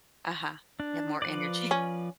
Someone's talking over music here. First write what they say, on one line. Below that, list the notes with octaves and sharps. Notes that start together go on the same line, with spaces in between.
Uh-huh. You have more energy.
D4
F3 B4 D5
C#4